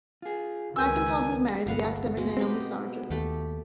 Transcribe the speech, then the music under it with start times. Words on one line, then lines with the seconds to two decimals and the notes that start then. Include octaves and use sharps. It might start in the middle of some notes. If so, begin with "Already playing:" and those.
McIntosh was married to the academic Naomi Sargant.
0.22 F4 G#4
0.76 C#2 D#3 F#4 A#4 B4 G#5 E6 G6
1.67 G1 C2 B3 F5 F#5
2.17 B2 G#3
2.37 B3 C4 D#4 G4
3.10 D#2 A3 G4